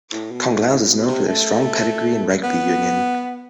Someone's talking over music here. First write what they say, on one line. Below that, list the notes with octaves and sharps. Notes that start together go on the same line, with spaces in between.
Clongowes is known for their strong pedigree in rugby union.
A2
B2
A2
A2
B2
C3
A3
B3